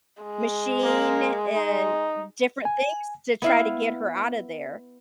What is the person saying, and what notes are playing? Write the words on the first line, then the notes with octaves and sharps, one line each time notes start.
machine and different things to try to get her out of there.
G#3
A#3
D#4
G#5
B3 E4 F5